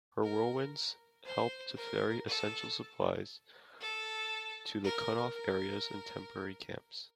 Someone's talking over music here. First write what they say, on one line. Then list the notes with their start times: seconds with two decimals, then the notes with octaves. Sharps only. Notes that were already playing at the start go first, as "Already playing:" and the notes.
Her Whirlwinds helped to ferry essential supplies to the cut-off areas and temporary camps.
0.23 A#4
1.25 C5
1.77 A#4
2.28 A4
3.81 A4
4.84 A#4
5.35 A#4